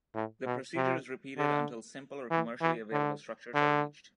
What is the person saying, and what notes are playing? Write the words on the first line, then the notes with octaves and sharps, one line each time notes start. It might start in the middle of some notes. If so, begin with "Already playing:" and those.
This procedure is repeated until simple or commercially available structures are reached.
A2
B2
C3
D3
E3
E3
D3
D3